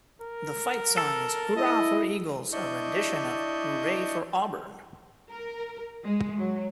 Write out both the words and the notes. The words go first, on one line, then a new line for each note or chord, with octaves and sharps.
The fight song is Hoorah for Eagles a rendition of Hooray for Auburn!!
A#4
A4
E4 D#5
D4 E4 D5 D#5 C#6 G6
A#4
G#3
F#3